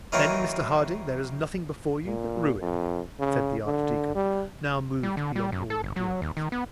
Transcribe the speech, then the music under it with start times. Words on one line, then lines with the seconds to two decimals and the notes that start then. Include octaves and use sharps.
"Then, Mr Harding, there is nothing before you but ruin," said the archdeacon, now moved beyond all endurance.
0.12 D#3 E3 F#3 A#3 D#4 C#5
2.06 A#2
2.60 F2
3.20 C#3
3.66 D3
4.15 G3
5.03 G3
5.17 D3
5.36 G3
5.52 F#2
5.70 A4
5.84 G1
5.96 F#3
6.22 D#2
6.37 D#3
6.52 B3